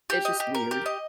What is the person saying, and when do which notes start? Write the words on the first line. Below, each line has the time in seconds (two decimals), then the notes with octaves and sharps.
It's just weird.
0.10 G4
0.25 D#5
0.40 G4
0.55 A#4
0.71 G4
0.86 D#5